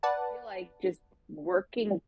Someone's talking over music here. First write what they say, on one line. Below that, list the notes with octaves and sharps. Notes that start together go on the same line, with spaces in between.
I feel like just working
B4 D5 F#5 A5